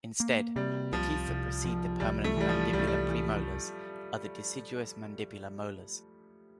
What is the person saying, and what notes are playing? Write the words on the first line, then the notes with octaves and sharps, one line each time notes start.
Instead, the teeth that precede the permanent mandibular premolars are the deciduous mandibular molars.
A#3
C3 G3
C2 F3
C2
F3
C2 G3
A3
E3 G3
F3
C2 G3
A3
G3
E3